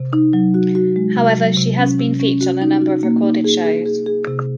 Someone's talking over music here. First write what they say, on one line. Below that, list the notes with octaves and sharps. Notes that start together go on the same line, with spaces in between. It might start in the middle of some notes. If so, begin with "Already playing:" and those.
However, she has been featured on a number of recorded shows.
Already playing: C3
D#4
F#3
F#4
F#4
G#3
C3
F#3
C3
C#4
C3
C#4
F#4
D#4
F#4
A#3
D#4
G#4
G#4
G#4
G#4
C3